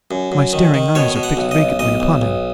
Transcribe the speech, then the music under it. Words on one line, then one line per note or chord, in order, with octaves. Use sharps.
My staring eyes are fixed vacantly upon him.
F#2
F#2
D#3
D#3
B2 C#5
B2
F#5
B1
D#5
B1
B1 D#5
B1
B1